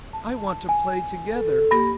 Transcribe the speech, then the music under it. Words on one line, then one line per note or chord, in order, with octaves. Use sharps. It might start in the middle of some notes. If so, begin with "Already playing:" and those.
I want to play together.
A5
G#5
A4
A#3 G4 B5 A#6